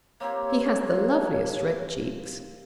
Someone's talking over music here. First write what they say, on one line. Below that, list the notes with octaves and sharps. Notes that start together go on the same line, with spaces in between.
He has the loveliest red cheeks.
A#3 C4 G4 C#5